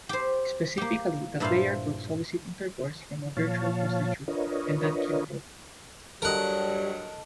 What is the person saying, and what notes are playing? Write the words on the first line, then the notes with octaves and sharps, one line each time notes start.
Specifically, the player could solicit intercourse from a virtual prostitute, and then kill her.
G4 C5
A#3 G4
G2 A#2 E4 F4 C5 F5
A#2 F3 C#5 F5 A5
D4 F4 A#4 B4 C#5 D#5
G2 F#3 G3 A4 A#4 D#5 F#5